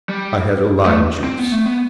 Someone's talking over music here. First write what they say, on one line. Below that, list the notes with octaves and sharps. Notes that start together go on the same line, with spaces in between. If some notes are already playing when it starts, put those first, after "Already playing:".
I had a lime juice.
G3
A3
C4
B3
A3
B3